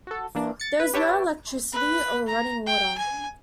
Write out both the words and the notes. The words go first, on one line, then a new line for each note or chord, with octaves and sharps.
There is no electricity or running water.
F#4 A4
E3 A#3 D4
A6 C#7
B4
G4 B4 C#5 E5 G5 A5
B4
A#5
G5
G#5